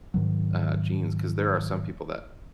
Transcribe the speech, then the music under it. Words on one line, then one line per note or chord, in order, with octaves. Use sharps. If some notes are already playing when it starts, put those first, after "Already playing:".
uh, genes 'cause there are some people that
G#2 D#3 F#3